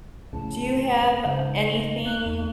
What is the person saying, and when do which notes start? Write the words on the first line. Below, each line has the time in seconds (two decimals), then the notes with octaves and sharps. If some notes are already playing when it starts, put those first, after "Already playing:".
Do you have, uh, anything,
0.33 F1 C#2 A2 C#3 A5
1.26 G#2 C#3 C5
1.65 D#5
2.05 B3 F#6
2.26 E2 D#4